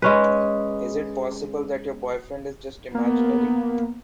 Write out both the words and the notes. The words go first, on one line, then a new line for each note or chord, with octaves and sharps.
Is it possible that your boyfriend is just imaginary?
G#3 C#4 B4
A#3 B3